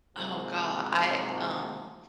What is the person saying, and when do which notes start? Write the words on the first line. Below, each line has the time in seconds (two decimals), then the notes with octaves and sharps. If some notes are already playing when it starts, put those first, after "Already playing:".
Oh, go I, um
0.16 G#2 C3 F3 F#3 A#3